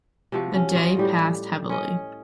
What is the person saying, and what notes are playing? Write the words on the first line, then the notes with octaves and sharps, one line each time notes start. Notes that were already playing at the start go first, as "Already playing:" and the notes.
The day passed heavily.
C3 F3 F#4
C#4
F4 F#4 D#5 F5
A2 G3 G4
C#4 D#5